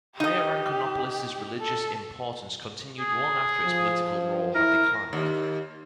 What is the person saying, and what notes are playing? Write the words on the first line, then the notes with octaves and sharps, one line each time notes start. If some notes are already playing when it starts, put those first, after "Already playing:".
Hierakonpolis's religious importance continued long after its political role had declined.
D#4 G4 D#5
A4
G#4
F3
E4 A#4
D#2